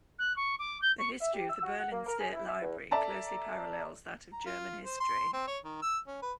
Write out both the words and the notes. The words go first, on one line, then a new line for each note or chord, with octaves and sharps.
The history of the Berlin State Library closely parallels that of German history.
F#6
C#6
D6
G6
C#6
E5
G4
E6
F#4
F#5
A#3
A#4
G#4
E4
E5
E2
A4 D5 E5 A5 A#5
A#5
F4
C5
C6
C4
C#5
D#3
E6
C#4
B4